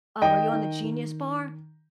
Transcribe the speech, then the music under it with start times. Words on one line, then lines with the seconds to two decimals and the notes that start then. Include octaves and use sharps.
Oh, were you on the Genius Bar?
0.22 D#3 D#5 G5
0.53 D#3
0.84 D#3